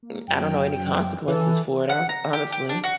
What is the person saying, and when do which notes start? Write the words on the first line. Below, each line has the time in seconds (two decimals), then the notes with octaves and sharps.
m I don't know any consequences for it, hones honestly,
0.03 A#3
0.27 F#2 F#3 G5
1.28 E3 A4
1.89 F#5
2.09 A#5
2.33 G4
2.52 G4
2.69 D4
2.84 F#4